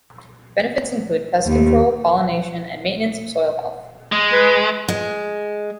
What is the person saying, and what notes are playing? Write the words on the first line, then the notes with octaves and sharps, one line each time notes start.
Benefits include pest control, pollination, and maintenance of soil health.
D#2
G#3
B4
G#3